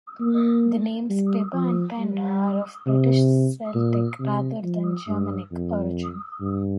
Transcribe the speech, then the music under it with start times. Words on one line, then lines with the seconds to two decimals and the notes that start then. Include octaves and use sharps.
The names Pybba and Penda are of British Celtic, rather than Germanic, origin.
0.20 A#3
1.10 G3
1.53 F3
1.98 G3
2.87 C3
3.75 A#2
4.19 C3
4.63 F3
5.08 G2
5.52 F2
6.41 G2